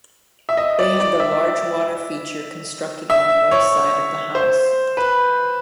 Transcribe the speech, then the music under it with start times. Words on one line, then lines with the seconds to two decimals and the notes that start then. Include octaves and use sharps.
They had the large water feature constructed on the north side of the house.
0.49 E5
0.57 D#5
0.79 D5
1.00 D5
1.20 E5
3.10 E5
3.51 C#5
4.35 C5
4.97 B4